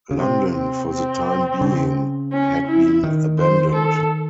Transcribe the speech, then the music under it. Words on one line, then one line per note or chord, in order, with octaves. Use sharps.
London for the time being had been abandoned.
C#3
C3 C4
C4
C4
C#3
C#4
E4
D#3
C5
A4